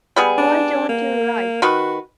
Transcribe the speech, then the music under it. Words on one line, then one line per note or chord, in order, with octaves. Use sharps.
Why don't you write?
G3 B3 G#4
D4
A#3
D#3 F#4 B4